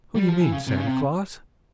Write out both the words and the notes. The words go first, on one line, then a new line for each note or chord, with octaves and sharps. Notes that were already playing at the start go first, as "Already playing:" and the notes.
"Who you mean--Santa Claus?"
G3
F3
E3
C#3
C3
C#3
C3